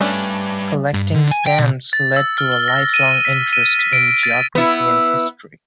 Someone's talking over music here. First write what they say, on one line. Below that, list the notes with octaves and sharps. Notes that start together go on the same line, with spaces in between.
Collecting stamps led to a lifelong interest in geography and history.
G3 A3 C#4 D4 B4
G2
D3
G#5
G5
B1
A6
E6
F6
G7
A#6
D#7
B6
D#7
B6
D7
A6
B3 E4